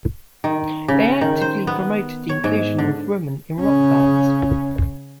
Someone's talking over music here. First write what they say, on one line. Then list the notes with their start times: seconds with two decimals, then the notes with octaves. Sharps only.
They actively promoted the inclusion of women in rock bands.
0.44 D#3
0.88 C#3
1.21 D#3
1.41 C5
1.67 B3
2.29 C#5
2.44 G#2
2.78 D3
3.60 C#3 C#4